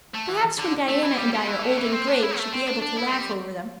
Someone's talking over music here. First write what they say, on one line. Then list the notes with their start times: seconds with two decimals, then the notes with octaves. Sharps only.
Perhaps when Diana and I are old and gray we shall be able to laugh over them.
0.14 A3
0.28 E3
0.58 D3
0.88 A3
1.03 E3
1.17 G3
1.33 G3
1.47 E3
1.63 A2
1.77 E3
1.87 A3
1.92 C4
2.08 D4
2.23 E4
2.38 A3
2.53 C4
2.67 D4
2.82 D4
2.97 E4
3.08 A3
3.12 G3